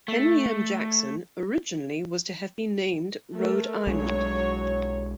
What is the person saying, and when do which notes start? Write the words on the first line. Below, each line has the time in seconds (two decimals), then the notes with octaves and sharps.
"Henry M. Jackson" originally was to have been named "Rhode Island".
0.08 A3
3.36 A3 A#4
3.87 B1 F#3 G#3 D4 C#5